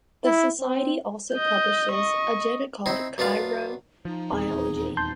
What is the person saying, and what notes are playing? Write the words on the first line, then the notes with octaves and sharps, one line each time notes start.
The Society also publishes a journal called "Cryobiology".
E4
C4
D#5 G6
D#5 C#6
C4 D#4 E4
F#2 B3 D4 F4 F5
F3 D#4
D#1 E2 C4 G#4
A5 C6 G6